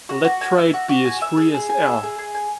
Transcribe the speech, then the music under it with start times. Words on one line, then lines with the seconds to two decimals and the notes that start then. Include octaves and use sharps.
Let trade be as free as air.
0.09 F#4
0.25 F#4
0.41 G#5
0.57 E5
0.74 F#4
0.89 F#4
1.05 G#5
1.22 E5
1.37 G#4
1.54 G#4
1.70 G#5
1.86 E5
2.03 G#4
2.18 G#4
2.35 G#5